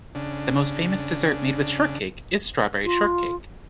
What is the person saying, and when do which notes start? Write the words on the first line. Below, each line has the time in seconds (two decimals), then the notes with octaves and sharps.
The most famous dessert made with shortcake is strawberry shortcake.
0.15 C#3 D4
2.84 F4